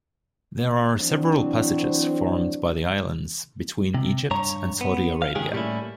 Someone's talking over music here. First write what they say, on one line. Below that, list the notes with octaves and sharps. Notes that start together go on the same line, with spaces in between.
There are several passages formed by the islands between Egypt and Saudi Arabia.
E3 F#3 C4 D4
C3
G2 C#5 A#5
B3
F5
D#3 G#3 C#4 G4 G#4
A2 G3 A#3 C#4 E4